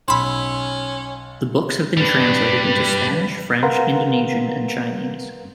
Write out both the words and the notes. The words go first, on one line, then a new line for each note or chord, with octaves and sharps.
The books have been translated into Spanish, French, Indonesian, and Chinese.
B1 C#4 B5 C6 E6 E7
G3 D4 B4
A#4 B4 F5 F#5 A#5 C6